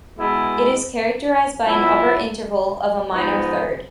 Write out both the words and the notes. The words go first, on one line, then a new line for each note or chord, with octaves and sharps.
It is characterized by an upper interval of a minor third.
B2 G#3 B3 E4
A#2 F#3 B3 E4
G#2 F3 G#3 B3 D#4